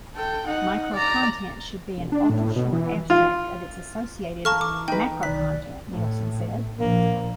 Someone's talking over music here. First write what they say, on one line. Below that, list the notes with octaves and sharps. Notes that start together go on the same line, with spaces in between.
"Microcontent should be an ultra-short abstract of its associated macrocontent," Nielsen said.
A4 G5
D#4 F#5
D5 A#5
E1
D4
A2
B2
E3
F4
E3 A4 F5 A5 A#5 C#6 F6
D6
D#4 B4 G5
B1 D#3 D5 F#6 B6
A2
A#1 A#3